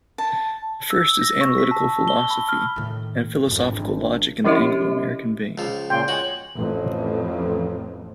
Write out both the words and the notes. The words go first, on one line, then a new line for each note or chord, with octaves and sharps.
The first is analytic philosophy and philosophical logic in the Anglo-American vein.
A5
E6
A#6
C#6
B6
A5
A5
G7
B5
F6
A2 D#3
G#1 F2
G#1 D4
F3 C#4 E4 G4 D#5 E5
C#2 F3
A#2 C#3 G5 C6
G#3 F#4 C#5 F#7
A1 F2 A2